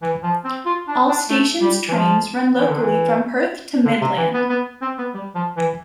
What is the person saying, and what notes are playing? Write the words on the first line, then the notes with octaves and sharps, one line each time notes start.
All stations trains run locally from Perth to Midland.
E3
F3
C4
F4
D4
D4
A3
G3
E3
F3
E3
D3
E3
D3
C3
E3
B3
B3
C4
B3
G3
F3
E3